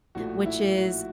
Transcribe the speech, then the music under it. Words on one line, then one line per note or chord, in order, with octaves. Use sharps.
which is
A#1 A2 F3 A3 F#4
E4
F#4